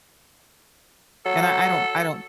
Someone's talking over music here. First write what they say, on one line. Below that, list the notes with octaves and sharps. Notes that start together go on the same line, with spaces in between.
and I I don't I don't
F#3 A4